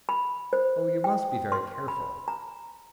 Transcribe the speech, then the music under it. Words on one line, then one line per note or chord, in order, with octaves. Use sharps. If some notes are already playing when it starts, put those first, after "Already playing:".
'Oh! you must be very careful.
B5
C5
G5
C6
B5
A#5